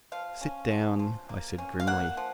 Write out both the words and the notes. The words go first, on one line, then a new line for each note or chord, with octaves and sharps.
"Sit down," I said grimly.
F3 F5
C#4
F3
F3
A#3
C#4
F5
A#3 F#5
F3